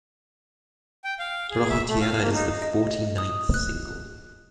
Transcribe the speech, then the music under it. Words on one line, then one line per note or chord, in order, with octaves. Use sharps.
Rojo Tierra is the forty ninth single.
G5
F5
G#4
E5
A3
F5
A#3
D#4
D#5
D#6
F#6